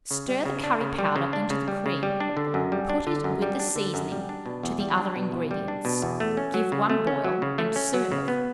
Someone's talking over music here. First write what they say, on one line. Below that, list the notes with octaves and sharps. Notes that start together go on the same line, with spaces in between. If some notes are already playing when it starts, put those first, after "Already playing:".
Stir the curry-powder into the cream; put it, with the seasoning, to the other ingredients; give one boil, and serve.
C#3
G3
C#3
D4
C#3
G3
C#3
D4
C#3
G3
C#3
G3
D4
D3
F#2
G3
D4
D3
F#2
G3
D4
D3
F#2
G3
D4
B2
E2
G3
D4
B2
E2
G3
D4
B2
E2
A3
C#4
F#3
C#3
A3
C#4
F#3
C#3
A3
C#4
F#3
C#3
B3